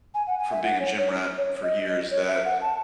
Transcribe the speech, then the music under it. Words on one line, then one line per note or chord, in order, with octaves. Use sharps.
from being a gym rat for years- that
G#5
F#5
G#5
E5
F#5
C#5
C#5
C#5
D#5
D#5
C#5
E5
F#5
A5